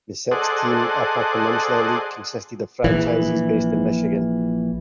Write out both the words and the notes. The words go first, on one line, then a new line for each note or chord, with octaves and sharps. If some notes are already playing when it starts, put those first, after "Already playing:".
The six–team Upper Peninsula League consisted of franchises based in Michigan.
G#4 A4 C5 D5 D#5 F#5
A#1 E3